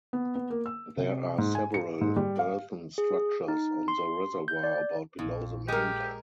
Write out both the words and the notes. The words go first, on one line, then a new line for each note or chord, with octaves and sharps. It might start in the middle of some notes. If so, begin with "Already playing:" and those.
There are several earthen structures on the reservoir about below the main dam.
B3
B3
A#3
E6
C3
G#2
G#5
C#7
G#2
G3
F5
G#4
D#4
C6
G6
D5
A#1 F2 A#2
G#3 G4 A#4